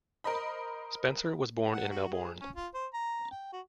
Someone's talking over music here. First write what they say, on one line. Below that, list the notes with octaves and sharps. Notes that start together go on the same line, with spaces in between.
Spencer was born in Melbourne.
A#4 C5 D#5 B5
F#5
F#4
G#4
C#4
F4
C5
A#5
G5
F#4